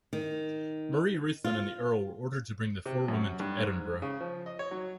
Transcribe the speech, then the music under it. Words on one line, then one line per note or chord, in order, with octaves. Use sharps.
Marie Ruthven and the Earl were ordered to bring the four women to Edinburgh.
D#3
F4
C3
F#2
G2
G#2
C#3
F3
D#5
C#5
F#3